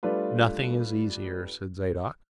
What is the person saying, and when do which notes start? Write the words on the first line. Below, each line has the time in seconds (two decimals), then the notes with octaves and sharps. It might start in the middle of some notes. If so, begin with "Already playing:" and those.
"Nothing is easier," said Zadok.
0.03 G3 A3 D4 F4 B4